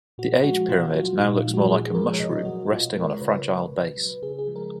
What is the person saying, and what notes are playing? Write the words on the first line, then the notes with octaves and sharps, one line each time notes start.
The age pyramid now looks more like a 'mushroom' resting on a fragile base.
A#2 F#4
F3 G#3 F#4
B2 F4
F#3 F#4
A#2 D#4
F4
F3 G#3
F#4
A#2 G#4
F3 G#3 A#4
C#5
B2 D#5
F#3 F#4
B2 F4
G#3 A#4
C#5
C#3 B4
G#3
B2
F#3
C#3 G#4
G#4
F3 G#3
A#4